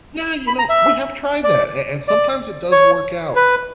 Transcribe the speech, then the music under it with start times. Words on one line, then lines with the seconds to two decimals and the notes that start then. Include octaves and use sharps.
Yeah, you know, we have tried that, a and sometimes it does work out,
0.47 B5
0.59 A#5
0.69 E5
1.44 D5
2.08 D5
2.72 C#5
3.36 B4